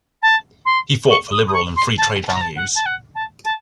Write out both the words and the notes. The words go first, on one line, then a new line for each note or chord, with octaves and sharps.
He fought for liberal and free-trade values.
A5
C6
C#6
D#6
D#6
C#6
C6
A5
A5
A#5
A5
F#5
A5
F#5
A5
A5